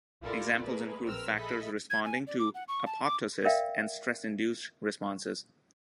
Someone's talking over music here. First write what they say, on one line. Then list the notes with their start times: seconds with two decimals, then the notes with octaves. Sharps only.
Examples include factors responding to apoptosis and stress-induced responses.
0.22 E4 F4 G4 A4 A#4 D5
0.64 A3 A#3 G#4 A#4 B4
1.04 A#1 C4 A#4 B4 E6 F6
1.35 G#4 A4 D#5 E5 B5
1.90 G#6
2.05 G#5
2.27 D5
2.39 D6
2.55 F#5
2.68 C#6
2.86 A5
3.05 D6
3.45 A#4 D5 E5 F5 G5